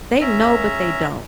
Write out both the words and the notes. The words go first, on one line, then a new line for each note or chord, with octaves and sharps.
they know, but they don't.
C#4 E5 A#5